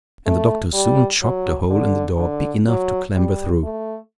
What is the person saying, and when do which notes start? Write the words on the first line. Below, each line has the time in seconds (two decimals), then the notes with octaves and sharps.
And the Doctor soon chopped a hole in the door big enough to clamber through.
0.26 A3
0.74 G3
1.22 F#3
1.70 D3
2.18 D3
2.68 F#3
3.15 G3
3.63 A3